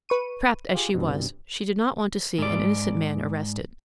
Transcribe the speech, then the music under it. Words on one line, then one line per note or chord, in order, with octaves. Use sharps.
Trapped as she was, she did not want to see an innocent man arrested.
B4 C#6 D#7
F4 G4 G#4
C2 G2 B2
G#2 D5